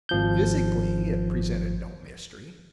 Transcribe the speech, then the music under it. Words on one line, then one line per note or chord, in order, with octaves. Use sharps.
Physically it presented no mystery.
G#1 F3 G6